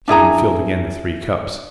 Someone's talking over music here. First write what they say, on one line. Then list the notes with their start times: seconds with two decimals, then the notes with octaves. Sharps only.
Stephen filled again the three cups.
0.08 D4 E4 G#4 A#5